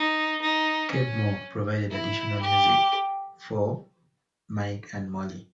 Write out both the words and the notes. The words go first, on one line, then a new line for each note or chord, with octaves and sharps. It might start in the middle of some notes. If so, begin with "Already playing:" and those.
Keb' Mo' provided additional music for "Mike and Molly".
Already playing: D#4
D#4
C#4
E4
G4